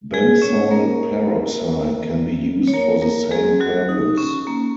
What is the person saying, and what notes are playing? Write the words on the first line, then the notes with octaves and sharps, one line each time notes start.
Benzoyl peroxide can be used for the same purpose.
G#3 G#4
C#4 C#5
A#3 A#4
C#5
A#3 A#4
A#3 A#4
G#3 G#4
F#3 F#4
D#4
C#4
A#3